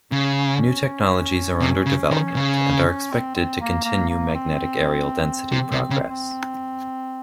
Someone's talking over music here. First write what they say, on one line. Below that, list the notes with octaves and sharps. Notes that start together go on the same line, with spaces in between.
New technologies are under development and are expected to continue magnetic areal density progress.
C#3 C#4
C3
C#3
D#3
C#3
C4
C4
A#3
A#3
A#3
C4
C3
C3
C#3
C4